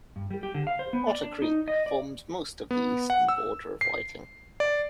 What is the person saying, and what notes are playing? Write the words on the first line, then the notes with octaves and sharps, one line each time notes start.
Otter Creek forms most of the eastern border of Whiting.
G2
G3
G4
D3
F5
C5
B3
D5
D4
D#4
D#5
D5
B3
F#5
E6
C7
D5